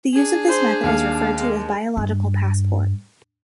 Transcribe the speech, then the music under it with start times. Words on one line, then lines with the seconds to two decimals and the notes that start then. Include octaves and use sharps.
The use of this method is referred to as biological passport.
0.13 D4 G#4
0.49 C5
0.84 D#2 F5
1.37 G#3
1.97 G2